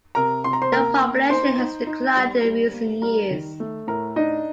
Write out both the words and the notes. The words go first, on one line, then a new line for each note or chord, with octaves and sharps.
The population has declined in recent years.
C3 A#4 A#5
C3 C6
A#5
C5 C6
A#3 A#4 A#5
A#3
D#4 C5 C6
D#4
D#4
G3
G3
A#3
G3 A#4 A#5
D#3
A3
A2 A#4 A#5
D4 D#4 D#5